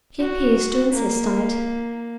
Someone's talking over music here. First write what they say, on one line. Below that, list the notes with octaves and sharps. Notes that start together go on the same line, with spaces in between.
"She appears to insist on it."
F#4
A#3